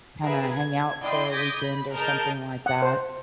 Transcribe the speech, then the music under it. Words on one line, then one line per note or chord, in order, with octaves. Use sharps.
kinda hang out for a weekend or something like that,
G#4 A#4 B4 E5
G#6
E4 D5 D#5 G5 C6
D6 D#6 G6 G#6 A#6 B6
B5
G#4 A#4 D#5 A5 G6
F#5
C5